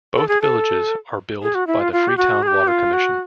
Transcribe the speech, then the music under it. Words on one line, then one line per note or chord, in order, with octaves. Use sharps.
Both villages are billed by the Freetown Water Commission.
A4
G#4
A4
G#4
F#4
E4
F4
F4
G4
F#4
G#4
G4
F4
F#4